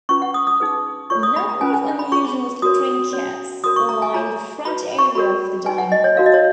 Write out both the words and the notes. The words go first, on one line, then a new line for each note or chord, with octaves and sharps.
A number of unusual trinkets line the front area of the diner.
C#4 F4 B4 C#6
F#5
D#6
D#6
D#4 G#4 B4
F4 A#4 C#5 C#6
D#6
B5
A#5
C#4 F4 B4 G#5
G#5
B5
C#4 F4 G#4 C#6
F#4 A#4 C#5 D#6
C#4 F#4 C#5
F#4 A#4 C#5 D#6
C#6
A#5
G#5
F4 G#4 C#5 A#5
F#4 B4 B5
C#6
F#4 A#4 C#5 B5
D#4 F#4 B4 G#5
F#5
D#5
C#5
D#4 F#4 A#4 C#5 F5
D#5
C#5